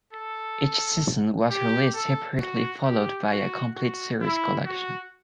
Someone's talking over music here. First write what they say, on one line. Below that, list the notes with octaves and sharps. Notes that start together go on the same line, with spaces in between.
Each season was released separately followed by a complete series collection.
A4
G4
A4
F#4
G4
F#4
F#4
E4
F#4